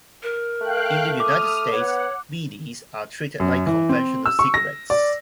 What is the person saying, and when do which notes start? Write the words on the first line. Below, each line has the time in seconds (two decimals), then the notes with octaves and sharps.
In the United States, beedies are treated like conventional cigarettes.
0.23 A#4
0.61 A3 F5 G5 F#6
1.20 D6 D#6 F6
1.72 B3 C#5 F#5
3.40 F#2
3.66 E3
3.89 C4
4.26 E6
4.39 C#6
4.54 A#6
4.90 D5